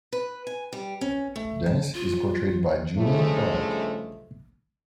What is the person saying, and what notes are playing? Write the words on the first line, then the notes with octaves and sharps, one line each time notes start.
Dennis is portrayed by Julian Barratt.
B4
G#5
G3
C#4
A3
A5
F4
G2 C#3 E3 F3 G#3 A3